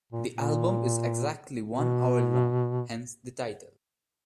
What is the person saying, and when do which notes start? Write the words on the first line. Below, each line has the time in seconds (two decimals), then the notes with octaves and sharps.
The album is exactly one hour long, hence the title.
0.12 A#2
0.35 A#2
1.71 B2